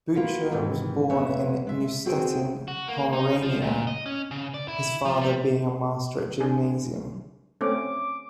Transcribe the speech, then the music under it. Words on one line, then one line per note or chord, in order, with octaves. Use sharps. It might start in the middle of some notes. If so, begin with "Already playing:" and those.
Bucher was born in Neustettin, Pomerania, his father being master at a gymnasium.
A#3 F4 F#4 B4
G#2 C3 D#3 E3
F2 B3 B4 C#5 E5 A#5
G#3 E5
D#2 C4 F#4 G#4 C5 G5
F#4
A#3
D#4
F3
A#2
D#5
C#4
C#3
D5
E4
F3
G3
D4 G#4
A3 C4 C#4 D6